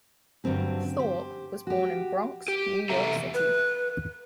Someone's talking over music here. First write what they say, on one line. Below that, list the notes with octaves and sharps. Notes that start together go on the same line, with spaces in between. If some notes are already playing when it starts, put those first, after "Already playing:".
Thorp was born in Bronx, New York City.
G2 D3 F#3 C4 G4
G4 C5
F#4 G4
G4
E2 C3 A4 E5 A#5
B4